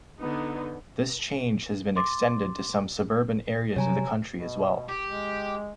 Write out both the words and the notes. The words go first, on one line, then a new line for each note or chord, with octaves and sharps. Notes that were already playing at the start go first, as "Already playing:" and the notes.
This change has been extended to some suburban areas of the country as well.
D3 B3 D#4
C6 D6 A6
C3 F#3 G3 C#5 G#5 A#5
B2
G4
G#3